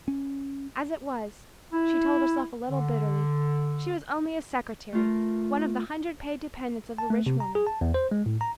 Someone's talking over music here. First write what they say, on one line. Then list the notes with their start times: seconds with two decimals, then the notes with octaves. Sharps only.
As it was, she told herself a little bitterly, she was only a secretary, one of the hundred paid dependents of a rich woman.
0.08 C#4
1.73 E4
2.69 D3
4.93 A3 F4 A#4
6.98 A5
7.10 A3
7.26 C3
7.40 A#5
7.55 G#4
7.67 A5
7.81 E2
7.94 C5
8.11 G#3
8.26 A2
8.41 A#5